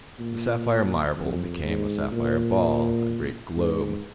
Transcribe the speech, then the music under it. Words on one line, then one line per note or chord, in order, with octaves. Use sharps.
The sapphire marble became a sapphire ball, a great globe.
A#2
F2
G#2
A#2
G#2